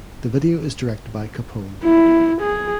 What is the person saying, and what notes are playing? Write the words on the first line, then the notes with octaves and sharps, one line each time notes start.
The video is directed by Capone.
E4
G#4